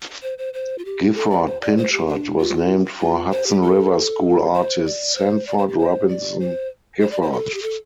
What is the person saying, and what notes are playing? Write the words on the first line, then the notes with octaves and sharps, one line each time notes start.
Gifford Pinchot was named for Hudson River School artist Sanford Robinson Gifford.
C5
C5
C5
F4
G4
A4
D5
C5
D5
C5
G4
D4
F4
F4
C5
G4
A4
C5
D5
C5
D5
C5
G4
C5
D5
C5
C5
D5
C5
A4
G4
A4